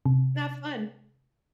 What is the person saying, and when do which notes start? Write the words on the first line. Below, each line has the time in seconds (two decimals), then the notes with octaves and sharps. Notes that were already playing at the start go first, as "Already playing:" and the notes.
Not fun.
0.06 C3